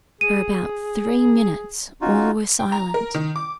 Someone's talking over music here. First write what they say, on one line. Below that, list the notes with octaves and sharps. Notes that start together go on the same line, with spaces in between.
For about three minutes all were silent.
G#4 D#7
C#4 D#4 F4 F#4
G5
A#5
A#4
D#3
D6